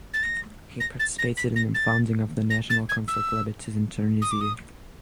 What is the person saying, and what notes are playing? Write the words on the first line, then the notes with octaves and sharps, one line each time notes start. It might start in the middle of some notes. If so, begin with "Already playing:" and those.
He participated in the founding of the National Council for Liberties in Tunisia.
A6
A#6
A#6
A6
A#6
B6
A#6
A6
A#6
A6
G#6
E6
D#6
D6
D#6